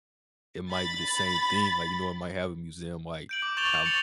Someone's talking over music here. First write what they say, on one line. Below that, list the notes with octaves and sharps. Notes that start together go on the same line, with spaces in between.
it might be the same thing. Like, you know, it might have a museum, like, how
B5 A6
G6 D7 F#7
D6
C#6 G6 A6 E7 F7 G7
C#6 A6 C#7 F7 F#7